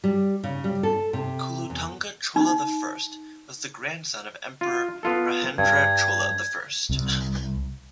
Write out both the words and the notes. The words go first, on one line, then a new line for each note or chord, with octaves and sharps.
Kulottunga Chola the First was the grandson of Emperor Rajendra Chola the First.
G3
C#3
G3
A4
C3
E2
D#4
F4
B3 F4 A4
G2 G#6
C2